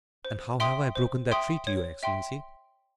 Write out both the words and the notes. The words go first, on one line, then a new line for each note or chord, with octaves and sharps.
"And how have I broken that treaty, your excellency?"
C5
E5 G5 C6 D#6
C5
E5 G5 C6 D#6
C#5
E5 G5 C6